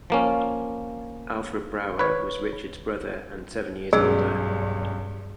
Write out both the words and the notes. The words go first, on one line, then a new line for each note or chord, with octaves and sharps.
Alfred Brauer was Richard's brother and seven years older.
F3 A#3 C#4
B4 C#5
B1 G2 C#4 G#4 D5 E6 D7